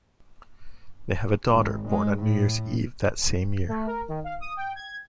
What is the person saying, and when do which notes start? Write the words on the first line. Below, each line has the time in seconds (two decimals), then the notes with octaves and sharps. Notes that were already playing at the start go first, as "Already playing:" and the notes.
They have a daughter, born on New Year's Eve that same year.
1.50 G#1
1.88 G#3
2.19 A2
3.68 A3
3.87 A#4
4.08 D#3
4.24 F5
4.40 D#6
4.57 G5
4.75 G#6